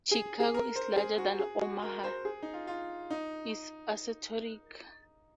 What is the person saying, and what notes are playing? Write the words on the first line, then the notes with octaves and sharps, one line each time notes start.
"Chicago is larger than Omaha" is assertoric.
G#4
G#4
A#4
C5
G#4
F#4
G#4
F#4
A#4
C5
G#4
D#4
F4
F4
D#4